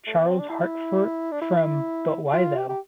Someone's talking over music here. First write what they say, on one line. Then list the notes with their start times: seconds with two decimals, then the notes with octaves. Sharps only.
Charles Hartford from "But Why Tho"?
0.06 A3
0.17 B3
0.28 C4
0.39 D4
0.50 E4
1.31 D4
1.41 E4
2.33 F4
2.57 G4
2.69 G4